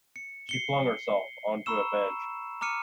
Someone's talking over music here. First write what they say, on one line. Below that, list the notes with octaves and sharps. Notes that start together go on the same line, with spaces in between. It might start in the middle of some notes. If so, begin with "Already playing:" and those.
She flung herself on to a bench.
C#7
C7 C#7 G7
A#5 B5 C#6 E6 E7
A#5 D6 F6 C#7 D#7